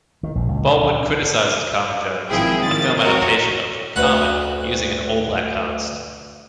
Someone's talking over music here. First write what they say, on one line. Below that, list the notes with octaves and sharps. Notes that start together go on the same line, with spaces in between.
Baldwin criticises Carmen Jones, a film adaptation of "Carmen" using an all black cast.
D#3
A#1
C#2
C3
G#1 F3 E4 G#4 G5
D#3 F3 A6
C4 F#4 A#4 C#5
D2 B4 F#5